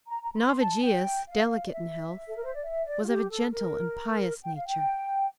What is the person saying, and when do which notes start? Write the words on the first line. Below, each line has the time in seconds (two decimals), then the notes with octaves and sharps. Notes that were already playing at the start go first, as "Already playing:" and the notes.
Navigius, delicate in health, was of a gentle and pious nature.
0.08 A#5
0.23 A#5
0.34 A#5
0.38 C6
0.60 A5
0.82 G5
1.27 F5
1.68 D5
1.73 E5
2.28 A4
2.36 A#4
2.45 C5
2.54 D5
2.62 E5
2.85 D5
3.02 F4
3.08 G4
3.30 A4
3.52 A#4
4.42 G5
4.54 F5
4.67 G5